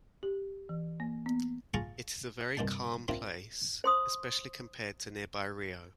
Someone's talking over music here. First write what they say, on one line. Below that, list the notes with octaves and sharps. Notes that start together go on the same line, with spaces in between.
It is a very calm place, especially compared to nearby Rio.
G4
E3
A#3
B3
F4 G#4 F5 A5 A#5 C#6
C2 G2 D4 D#4 A5
C4 D4 E4 F4 A#4
C5 C6 D#6